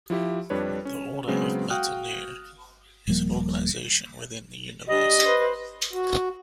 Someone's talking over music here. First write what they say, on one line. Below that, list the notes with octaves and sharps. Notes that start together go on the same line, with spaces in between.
The Order of Mata Nui is an organization within the universe.
F3 E4 G4 E5
F2 G3 D4 B4 C#5
C#4
C#3 F#3 G#3 B3 C4
F#4 F5 G5 D#6 F6 F#6
D#1 F3 G3 A#3
G3 D4 D#5
B4 C5
F#4